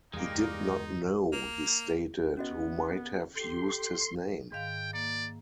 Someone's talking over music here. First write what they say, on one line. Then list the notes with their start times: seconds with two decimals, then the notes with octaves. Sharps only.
He did not know, he stated, who might have used his name.
0.13 E2 G2 C#3 G3 G#3 A#3 D#4
1.32 A#3
2.37 B3 C#4 F#4 D#5
3.35 G4 A4 C6
4.52 G#2 D#3 F5 G5
4.94 A#3 D5